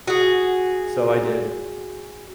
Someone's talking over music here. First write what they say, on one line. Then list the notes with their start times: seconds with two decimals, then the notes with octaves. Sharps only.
So I did.
0.07 F#4 G#4